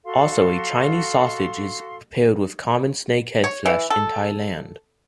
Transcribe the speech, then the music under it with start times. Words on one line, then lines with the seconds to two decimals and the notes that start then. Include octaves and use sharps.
Also, a Chinese sausage is prepared with common snakehead flesh in Thailand.
0.04 F#4 A4 F5 C6
3.44 C#5
3.66 E3
3.90 A4